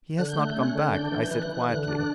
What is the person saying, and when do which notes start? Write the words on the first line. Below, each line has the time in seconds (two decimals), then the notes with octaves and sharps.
"He has not come back," I said quietly.
0.18 D3 F#6
0.29 G6
0.38 A3 F#6
0.51 G6
0.57 C#4 F#6
0.75 D3
0.94 D4 G6
1.12 E3
1.31 E3 F#6
1.49 E3
1.68 D3 F#6
1.88 D4